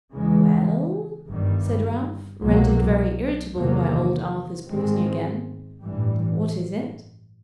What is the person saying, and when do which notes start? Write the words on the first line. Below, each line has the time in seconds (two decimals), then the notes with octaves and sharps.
'Well,' said Ralph, rendered very irritable by old Arthur's pausing again 'what is it?'
0.13 E2 C#3 E3 G#3
1.27 G1 G2 D#3 G3
2.40 C2 B2 F#3 A#3
3.54 E2 C3 D#3 F#3 A#3
4.68 G#2 D#3 G#3 C4
5.82 A1 G2 E3 G3